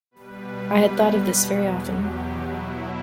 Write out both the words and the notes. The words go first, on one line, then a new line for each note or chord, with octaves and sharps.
I had thought of this very often.
B2 G3 B4
E2 B2 F#3
G4
B2 F#3 E4